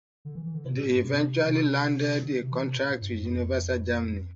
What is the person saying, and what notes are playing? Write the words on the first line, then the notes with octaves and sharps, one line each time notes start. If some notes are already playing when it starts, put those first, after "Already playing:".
They eventually landed a contract with Universal Germany.
D3
E3
E3
D3
C3
A#2
A2
G2
C3
C3
D3
C3
E3
C3
A#2
A#2
G2
F2
F2